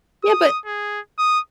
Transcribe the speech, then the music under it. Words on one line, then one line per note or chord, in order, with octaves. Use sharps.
Yeah, but
D#6
G#4
D#6